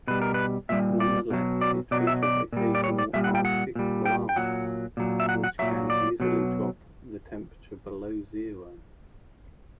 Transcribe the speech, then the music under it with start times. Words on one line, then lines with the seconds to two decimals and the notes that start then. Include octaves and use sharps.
Nonetheless, it features occasional 'arctic blasts' which can easily drop the temperature below zero.
0.07 B2 G3 B4
0.22 A#4
0.34 B4
0.69 A#2 G3 E5
1.00 D5
1.30 B2 F#3
1.61 D5
1.91 B2 F#3 D5
2.07 E5
2.23 D5
2.52 A#2 G3
2.75 D5
2.84 C#5
2.99 D5
3.13 A#2 G3 E5
3.24 F#5
3.35 G5
3.45 F#5
3.75 A#2 G3
4.05 G5
4.29 G5
4.36 A#2 F#3 F#5
4.97 A#2 F#3
5.20 E5
5.29 F#5
5.44 F#5
5.59 A#2 F#3 E5
5.90 D5
6.20 B2 F#3